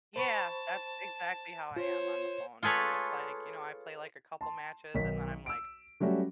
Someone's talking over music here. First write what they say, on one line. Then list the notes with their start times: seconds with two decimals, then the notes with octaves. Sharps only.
Yeah, that's exactly how I am on the phone, I'm just like, you know, I play, like, a couple matches and then I'm like,
0.16 C5 A5 B5 C#6
1.76 F4 C5 C#5
2.63 F4 G#4 A4 B4 C#5
4.41 A5 C6
4.94 B1 D#3 B6
5.46 E6 D7
6.00 F#3 G3 A3 C#4 F#4